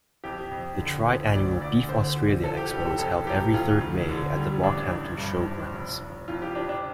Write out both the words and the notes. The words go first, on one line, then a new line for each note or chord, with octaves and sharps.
The tri-annual Beef Australia Expo is held every third May at the Rockhampton Showgrounds.
F2 G4
F2
D3
F3
D2 D5
D2 D5
D3 C5
F3
F3 A4
G4
F1 G4
A4
F2 A4
C3 G4
D2 F4
D2
D3
G3
A1 D4
A1
G2
F3
F1
F1
F2 F4
G4
F3 D4
D4